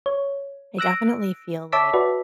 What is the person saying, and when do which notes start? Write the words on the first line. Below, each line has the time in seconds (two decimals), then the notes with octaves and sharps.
I definitely feel like,
0.06 C#5
0.78 E6 F#6 A#6 D7
1.72 C#5 E5 A5 D6 E6 B6
1.93 F#4 B4 D5